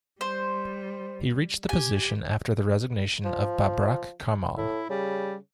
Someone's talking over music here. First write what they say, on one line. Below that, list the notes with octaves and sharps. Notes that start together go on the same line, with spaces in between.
He reached the position after the resignation of Babrak Karmal.
G3 C5
G4 G#5
F3
A2 E4
C#3 G3